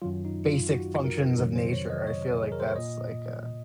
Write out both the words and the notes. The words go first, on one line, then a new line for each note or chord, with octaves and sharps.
basic functions of nature, I feel like that's, like, a
F#2 D#3 F#3 F4
D#4
F4
F#4
A#4
F2 C3 D#3 F#3 A#4
C5
C#5
D#5
C#5
G#4
A#4
C5
C#5
A#2 D#5